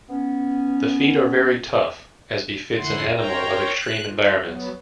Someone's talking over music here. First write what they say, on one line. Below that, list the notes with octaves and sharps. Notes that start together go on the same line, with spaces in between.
The feet are very tough, as befits an animal of extreme environments.
B3 C#4
F2 D3 E4 F#5 C6
A#4 C5 C#5 G5 A#5
F#6
F4
F#3 B3